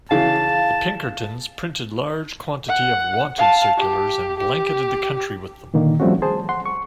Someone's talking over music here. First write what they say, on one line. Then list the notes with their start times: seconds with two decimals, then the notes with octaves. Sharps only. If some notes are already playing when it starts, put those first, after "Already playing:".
The Pinkerton's printed large quantity of "Wanted" circulars and blanketed the country with them.
0.11 C#3 E3 F5 A5
2.69 F#5
3.38 F5 A5
3.77 G4
4.39 G4
5.74 A#2 D3 D#3 A#3
6.00 F3 G3 A3 C4 C#4 F#4
6.22 G#4 C5 A5
6.49 F#5 C6
6.66 C#6